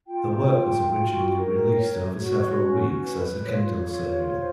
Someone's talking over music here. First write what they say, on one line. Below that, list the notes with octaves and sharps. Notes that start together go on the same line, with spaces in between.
The work was originally released over several weeks as a Kindle Serial.
F4 G5
F4
F#4
A#4
C#5
F#4
C#4
B4
F4 C#5
F4
C5